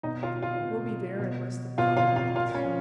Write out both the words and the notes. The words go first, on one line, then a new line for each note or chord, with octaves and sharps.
"We'll be there in less than five minutes."
B2 D#4 D#5
F4 F5
F4 F5
B2
B2
B2 F4 F5
F4 F5
F4 F5
A#2 F4 F5
C#4 C#5
F3